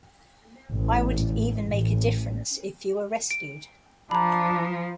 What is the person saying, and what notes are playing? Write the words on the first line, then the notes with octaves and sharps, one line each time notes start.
Why would it even make a difference if you are rescued?
A1
A1
D7
F3 D4 A#5 B5